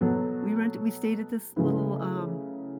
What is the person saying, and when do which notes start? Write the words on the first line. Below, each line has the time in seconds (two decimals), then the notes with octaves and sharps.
we rent we stayed at this little, um,
0.01 B2 F#3 B3 F#4 A4
1.56 C#3 F#3 A3 E4 B4